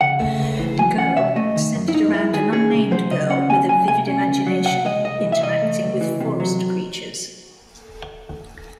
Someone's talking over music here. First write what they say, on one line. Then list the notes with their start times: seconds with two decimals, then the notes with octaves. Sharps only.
"Girl" centered around an unnamed girl with a vivid imagination interacting with forest creatures.
0.01 C#3 F#5
0.20 A3
0.39 C#2
0.59 E3
0.78 F#3 G#5
0.97 C#4 F#5
1.17 C3 E5
1.36 A3 D#5
1.56 D#3
1.75 F#2
1.88 E4
1.94 F#2 D#4
2.13 G#3 E4
2.33 D#3 G#4
2.52 C#4 G#4
2.72 C3
2.91 F#3 C5
3.11 C#3 D#5
3.30 C#4 F#5
3.49 D#2 G#5
3.69 F#3 G#5
3.88 C3 G#5
4.08 C#4
4.27 C#2
4.47 F#3
4.65 C3 F#5
4.85 G#3 D#5
5.04 C2 D#5
5.23 E3
5.32 E5
5.43 C3 D#5
5.62 A3
5.82 C#2
6.01 E3
6.20 C3
6.40 F#3